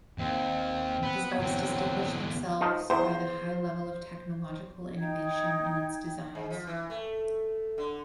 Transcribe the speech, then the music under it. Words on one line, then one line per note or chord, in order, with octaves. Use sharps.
His bikes distinguished themselves by the high level of technological innovation in its designs.
D#2 C4
B3 B4
E2 D3 F#3 C4
F3 D#4
E2 C5
D#4 G5 G#6
G#2
F3
E3
A3
D3